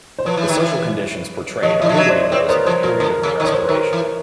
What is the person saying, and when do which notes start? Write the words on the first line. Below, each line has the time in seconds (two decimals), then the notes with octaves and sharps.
The social conditions portrayed appear to be those of the period of the Restoration.
0.19 C5
0.25 F3 B4 C#5
0.37 E3
0.49 D#3
0.60 E3
1.62 F3 C#5 D#5
1.80 E3 E5
1.86 F3 C#5 D#5
1.97 F#3
2.08 C5 D5
2.22 C5
2.31 C4 B4 C#5
2.49 B3 A#4 C5
2.65 F3 A#4 C5
2.83 F3 A#4
2.91 B4
3.00 D3 A#4
3.23 C#3
3.40 D#3
3.45 D3 C#5
3.53 C5
3.62 B4
3.69 D#3 A#4
3.93 E3